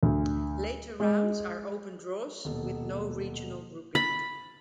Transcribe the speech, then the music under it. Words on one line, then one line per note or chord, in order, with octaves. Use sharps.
Later rounds are open draws with no regional grouping.
D2
G#3
D#1 B2
B5 A6